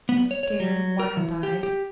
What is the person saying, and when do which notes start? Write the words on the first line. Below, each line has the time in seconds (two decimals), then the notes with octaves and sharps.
I stared, wild-eyed.
0.09 B3
0.31 C#5
0.43 C#5
0.60 F#3
1.00 A#4
1.17 E3
1.43 G4
1.63 G4